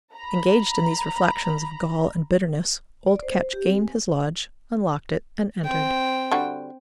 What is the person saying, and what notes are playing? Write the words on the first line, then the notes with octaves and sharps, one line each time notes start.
Engaged in these reflections of gall and bitterness, old Ketch gained his lodge, unlocked it, and entered.
A#5 B5
D5
C5
G4
C4
G#5
C4 G5
D3 G3 F#4